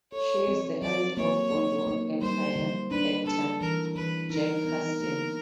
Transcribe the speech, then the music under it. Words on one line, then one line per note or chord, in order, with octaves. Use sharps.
She is the aunt of "Boardwalk Empire" actor Jack Huston.
A4 C#5
C4
F#3 D5
A#3 C#5
D#4
A#3
G3 C5
D3
D4 B4
D4 A4
E3 A#4
E3 B4
D#4 A#4
B3
A#3